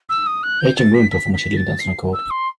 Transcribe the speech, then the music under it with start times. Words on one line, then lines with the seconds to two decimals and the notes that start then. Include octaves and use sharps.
Eight young women perform a cheerleading dance on a court.
0.09 E6
0.26 D#6
0.43 F#6
0.60 G6
0.77 A6
0.94 B6
1.11 B6
1.33 B6
1.56 A6
1.79 C7
2.13 E6
2.30 C6